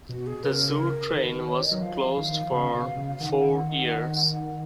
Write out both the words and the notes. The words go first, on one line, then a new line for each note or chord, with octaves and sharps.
The zoo train was closed for four years.
B2 F#4
G#4
C#3 A#4 B4
D#3
B4
C#5
D#5
F#3
F3 F5
D#3
C#3
B2
C#3
D#3 F#5